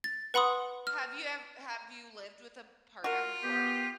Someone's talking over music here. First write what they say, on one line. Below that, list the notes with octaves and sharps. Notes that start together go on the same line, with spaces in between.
Have you ev have you lived with a partner before?
A6
B4 F#5 B5 C6 D#6
F6
F4 F#4 A#4
B3 G4